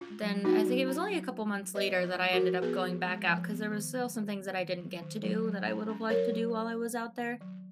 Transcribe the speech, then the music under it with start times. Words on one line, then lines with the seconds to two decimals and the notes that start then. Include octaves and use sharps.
then I think it was only a couple months later that I ended up going back out 'cause there was still some things that I didn't get to do that I would have liked to do while I was out there.
0.01 C#4 F4
0.22 F#3
0.45 A#3 D#4 F#4
0.66 F#3
0.88 C#4
1.10 F#3
1.31 A#3
1.54 F#3
1.75 B3 B4 D#5
1.97 F3
2.04 F4
2.19 G#3
2.33 F#4 A#4
2.40 F3
2.62 B3 G#4 B4
2.84 F3
3.05 G#3
3.27 F3
3.49 B3
3.71 D#3
3.93 F#3
4.15 D#3
4.36 B3
4.58 D#3
4.80 F#3
5.02 D#3
5.23 F#3
5.45 F#3
5.67 C#4
5.89 C#4
6.10 F#3 A#4 C#5
6.32 F#3
6.54 C#4
6.75 C#4
6.98 A#3
7.19 D#3
7.41 F#3